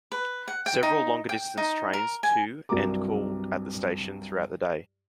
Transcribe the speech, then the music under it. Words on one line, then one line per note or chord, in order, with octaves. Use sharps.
Several longer-distance trains to and call at the station throughout the day.
B4
F#5
G5
D#4
G5
D#4
A#4
G#5
C2 G2 F#3 A#4 A#5 D6